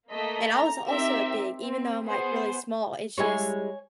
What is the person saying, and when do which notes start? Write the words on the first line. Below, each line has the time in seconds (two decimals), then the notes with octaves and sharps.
And I was also, uh, big, even though I'm, like, really small. It's just,
0.11 A3 A#3 D#5 B6
0.52 A#5
0.88 C4 D#4 G4 A#4 E5
1.60 C4
2.07 B3 G#4 C5
3.18 G3 G#3 E4 C#5 G#5